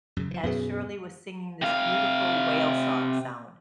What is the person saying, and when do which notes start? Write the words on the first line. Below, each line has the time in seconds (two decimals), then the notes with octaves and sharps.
as Shirley was singing this beautiful whale song sound,
0.17 F#2 C#3
0.31 E3 F3
0.44 F#2 B2 F#3 B3 G#4
1.62 C3 F5